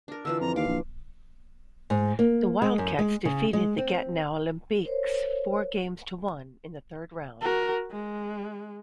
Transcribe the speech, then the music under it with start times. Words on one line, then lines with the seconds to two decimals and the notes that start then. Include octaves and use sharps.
The Wildcats defeated the Gatineau Olympiques four games to one in the third round.
0.08 D4 A#4
0.25 D3 E3 F4 E6
0.41 F2 A#5
0.56 D#2 F5 D6
0.68 A#1
1.90 G#2
2.19 A#3
2.62 G#3
2.78 F#2
2.99 G#3
3.25 C#3
3.53 G#3
3.78 C4
4.83 A#4 C5 C#5
7.42 F#4 A#4
7.91 G#3